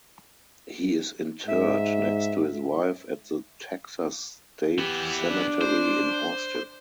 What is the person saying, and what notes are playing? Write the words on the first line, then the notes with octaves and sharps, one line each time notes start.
He is interred next to his wife at the Texas State Cemetery in Austin.
G#2 E5
E3 B3 G4
D4
C5